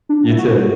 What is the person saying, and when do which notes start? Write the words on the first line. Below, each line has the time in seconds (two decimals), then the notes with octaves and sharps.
You, too.
0.09 D4
0.31 E4
0.39 F#4